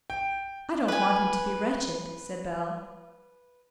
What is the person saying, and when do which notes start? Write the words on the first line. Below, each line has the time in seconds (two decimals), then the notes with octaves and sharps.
"I don't want him to be wretched," said Bell.
0.10 G5
0.88 B4 G#5